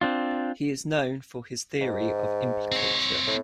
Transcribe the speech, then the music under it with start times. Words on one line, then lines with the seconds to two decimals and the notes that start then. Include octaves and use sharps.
He is known for his theory of implicature.
0.01 C4 D4 F4
1.81 G#2
2.72 C4 C#5
3.27 A2